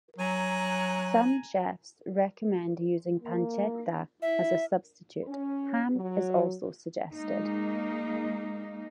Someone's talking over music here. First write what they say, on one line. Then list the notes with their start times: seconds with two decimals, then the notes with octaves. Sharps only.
Some chefs recommend using pancetta as a substitute; ham is also suggested.
0.18 F#3 G#5 A#5 F#6
3.22 A#3
4.22 E4 E5
5.28 C#4
5.95 F#3
7.14 G#3 A#3 D#4